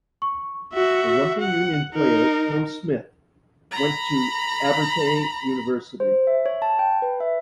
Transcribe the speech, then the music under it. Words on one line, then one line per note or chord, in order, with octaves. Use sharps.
The rugby union player Tom Smith went to Abertay University.
C#6
F#4 E5
F#5
D#4 A#4
A#5 B5
C5
E5
C#5
A5
G5
B4
E5